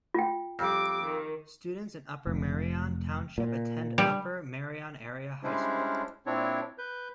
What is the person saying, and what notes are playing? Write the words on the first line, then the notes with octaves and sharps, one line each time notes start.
Students in Upper Merion Township attend Upper Merion Area High School.
F4 G5
F2 G3 D6
D#3
F1
A#2
G3
G3 G#3 C#4 D4 E4 C5
A#2 C4 D4 E4 C#5
B4 G6